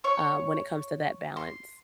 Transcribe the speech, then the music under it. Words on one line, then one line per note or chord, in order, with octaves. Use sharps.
um, when it comes to that balance?
C#5 C#6
C6